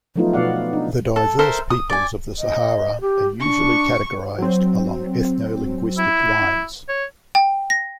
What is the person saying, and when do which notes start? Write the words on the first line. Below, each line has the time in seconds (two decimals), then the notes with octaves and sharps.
The diverse peoples of the Sahara are usually categorized along ethno-linguistic lines.
0.16 F3 F#3 A3 B3 D#4 F4
0.33 B2 B3 F#4 D5 F5 F#5
0.73 D4 D#4
1.16 A4
1.39 A4 A#4 C5 E5
1.70 D#6
1.90 D5 G#5
2.38 D#5
3.01 G4
3.40 D4 C#6
4.38 F#3 C4
5.98 E4
6.89 C#5
7.35 G5
7.70 A#6